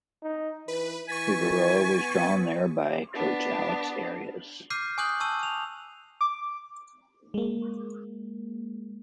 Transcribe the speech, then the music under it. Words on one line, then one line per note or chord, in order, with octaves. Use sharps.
Figueroa was drawn there by coach Alex Arias.
D#4
E3 B4
E3 G#5 C#6 A6 B6
B3
B3 D4
D6 F6 G6 C7 D#7
G#5 C#6 D#6 F#6 G6 F#7
A5 C#6 E6 D#7
F7
D6
G#3 A#3